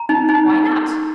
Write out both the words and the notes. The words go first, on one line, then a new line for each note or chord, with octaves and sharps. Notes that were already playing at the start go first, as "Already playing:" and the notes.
"Why not?"
Already playing: A#5
D#4
D#4